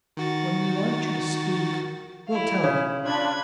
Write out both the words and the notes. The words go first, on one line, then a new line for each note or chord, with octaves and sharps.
"When we want you to speak we'll tell you."
D#3 F#4 A6
E4 F5
C#3 C#5
D4 F4 B5 F#6 G#6